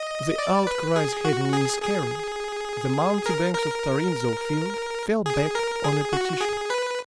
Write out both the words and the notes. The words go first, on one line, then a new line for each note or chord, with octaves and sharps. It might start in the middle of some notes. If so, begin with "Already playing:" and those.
The outcries having miscarried, the mountebanks of Tarrinzeau Field fell back on a petition.
Already playing: D#5
D5
B4
G#4
F#4
G#4
G#4
A#4
A#4
G#4
A#4
G#4
F#4
G#4
B4